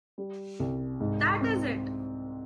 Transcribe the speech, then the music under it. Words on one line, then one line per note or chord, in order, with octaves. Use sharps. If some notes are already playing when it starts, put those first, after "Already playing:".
That is it.
G3
C2
G#2
C4